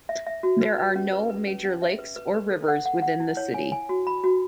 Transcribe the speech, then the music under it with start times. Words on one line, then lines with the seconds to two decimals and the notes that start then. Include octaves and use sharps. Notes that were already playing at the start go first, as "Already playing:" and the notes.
There are no major lakes or rivers within the city.
0.09 E5
0.27 E5
0.43 F#4
0.61 B4
0.78 B4
0.96 C#4
1.13 B4
1.30 B4
1.47 C#4
1.65 C#4
1.82 E5
1.99 B4
2.16 B4
2.34 B4
2.51 A4
2.68 F#5
2.86 F#5
3.02 F#5
3.20 E4
3.37 C#5
3.54 G#5
3.72 G#5
3.89 F#4
4.07 B5
4.24 F#4